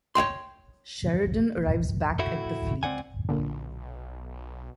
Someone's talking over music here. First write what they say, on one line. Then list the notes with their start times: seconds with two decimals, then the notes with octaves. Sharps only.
Sheridan arrives back at the fleet.
0.15 C#5 F5 G5 C6
2.19 A2 A3 E4 F#4
2.83 C#2 C4 D5 F#5 G#5
3.29 B1 A#2 D3